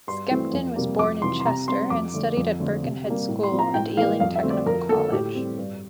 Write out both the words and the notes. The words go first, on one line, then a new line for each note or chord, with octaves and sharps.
Skempton was born in Chester and studied at Birkenhead School and Ealing Technical College.
G2 C6
E3 A3 C4
F2
C3 G3 A#3
F2 D6
C3 E3 G3 C6
C6
C3 A#5
G3 C4 C6
F2 D6
D3 A3
F2
D3 A3 C4
C3
G3
A#3
A2
C6
F3 C4
A#5
A2 G5
E3 G3 A#3 F5
F2 F5
E5
D3 A3 C4
D5
F2 A#4
D3 F3 A#3 A4
A2 G4
G3 C4
G2